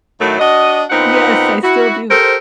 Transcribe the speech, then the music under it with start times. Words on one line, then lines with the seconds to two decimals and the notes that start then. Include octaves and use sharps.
Yes, I still do,
0.20 A2 D#3 F#3 A3
0.39 D4 F#4 D#5
0.90 A#2 B3 C4 D#4 F#5
1.63 E4 F#4
2.10 G4 A4 A#4 C5